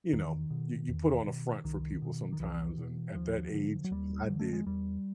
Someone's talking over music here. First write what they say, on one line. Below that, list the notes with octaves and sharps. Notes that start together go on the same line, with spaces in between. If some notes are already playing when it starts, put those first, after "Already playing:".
you know, you you put on a front for people sometimes, and at that age, I did.
E2 D#3
B2
E2
B2
C2 D#3
B2
D#3
C2 E3
B2
D#2 F3
D3
F#3
D#2 G3
D3
A3
G#3
E2 G3